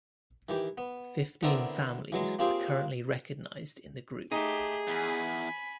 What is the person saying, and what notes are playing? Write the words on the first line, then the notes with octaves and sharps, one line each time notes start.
Fifteen families are currently recognised in the group.
D#3 E3 G4
B3
D3 B3 C4 E4 A#4 D5
E3 F#3 G#3
A#3 C4 F4 G4 G#4
A3 D#4 G4 G#4
E2 G#5 B5